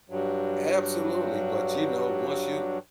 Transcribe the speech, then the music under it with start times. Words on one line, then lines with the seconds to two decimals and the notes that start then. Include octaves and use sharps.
Absolutely, but, you know, once you
0.10 G2 F#3